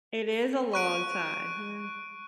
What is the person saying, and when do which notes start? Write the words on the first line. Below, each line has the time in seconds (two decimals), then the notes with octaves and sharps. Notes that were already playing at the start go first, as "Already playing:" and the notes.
It is a long time, yeah.
0.73 C#6 F#6 D7